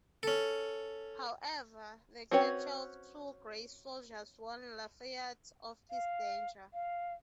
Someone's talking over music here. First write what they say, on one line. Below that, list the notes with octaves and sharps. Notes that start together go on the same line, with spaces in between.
However, the capture of two of Grey's soldiers warned Lafayette of his danger.
C#4 A4
C4 C#4 F#4 B4 C#5
F5
F5